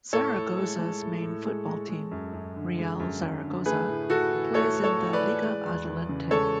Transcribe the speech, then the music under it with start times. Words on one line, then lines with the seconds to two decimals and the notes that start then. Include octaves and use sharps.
Zaragoza's main football team, Real Zaragoza, plays in the Liga Adelante.
0.13 A2 A4 C#5
0.35 A2
0.57 G#3
0.79 G#3
1.02 A2
1.23 A2
1.45 G#3
1.68 G#3
1.89 G#3
2.11 F#2
2.33 F#2
2.56 D3
2.78 G#3
3.00 F#2
3.22 F#2
3.44 D3
3.66 A3 G#4 B4
3.88 A2
4.10 A2 F#4 A4
4.32 E3
4.54 A3 A4 C#5
4.77 A2
4.84 A4 C#5
4.99 A2
5.13 B4 D5
5.21 E3
5.43 G#3
5.65 E2
5.87 E2
6.09 C#3
6.31 G#3 A4 C#5